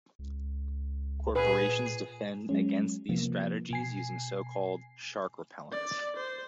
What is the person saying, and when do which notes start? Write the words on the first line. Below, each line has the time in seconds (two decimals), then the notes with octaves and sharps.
Corporations defend against these strategies using so-called 'shark repellents.
0.19 C#2
1.36 A#2 G#4 B4
2.49 F#3 G#3 C#4
3.09 C3 F3 A#3 B3
3.71 B2 G#5 C7
5.72 D5
6.17 C5